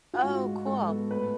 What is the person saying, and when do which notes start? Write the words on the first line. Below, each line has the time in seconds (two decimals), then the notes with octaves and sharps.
Oh, cool.
0.13 F4
0.23 G#2 F#4
0.45 G#3
0.66 G#2 A4
0.88 B3
1.10 A2 B4